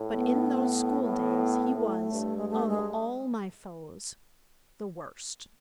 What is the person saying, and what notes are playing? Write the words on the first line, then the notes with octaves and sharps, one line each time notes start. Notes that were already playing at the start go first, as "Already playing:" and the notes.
But in those school-days he was, of all my foes, the worst.
Already playing: A2
B3
A2 B3
A2 A3
G2
G#3
A3
G#3